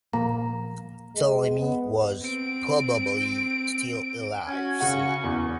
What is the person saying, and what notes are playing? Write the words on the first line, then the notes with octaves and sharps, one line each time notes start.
Ptolemy was probably still alive "c".
A#2 F3 A#3 A#5
G#3
B3
C4 D7
C#4 F#4 G#6
C#3 F#5 C#6
E2